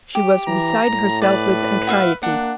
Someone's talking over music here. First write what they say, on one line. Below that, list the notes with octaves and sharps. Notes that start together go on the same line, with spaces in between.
She was beside herself with anxiety.
G4
E3 A#5
A2
B4 D5
F#4 E5 F5
A#3 D4 F#5